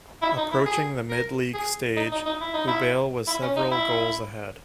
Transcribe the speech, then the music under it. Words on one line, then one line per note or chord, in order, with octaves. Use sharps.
Approaching the mid-league stage Hubail was several goals ahead.
E4
D#4
E4
G#4
A#4
G#4
D#4
D#4
D#4
E4
D#4
E4
E4
C#4
D#4
E4